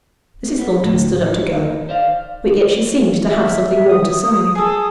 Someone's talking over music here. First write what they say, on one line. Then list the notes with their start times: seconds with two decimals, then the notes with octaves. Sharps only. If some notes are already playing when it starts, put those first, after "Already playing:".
Mrs. Thornton stood up to go, but yet she seemed to have something more to say.
0.59 B3
0.83 D2 A2
1.26 D#4
1.89 C5 D5 F5
3.31 E5
3.88 D#6
4.55 G#4 A4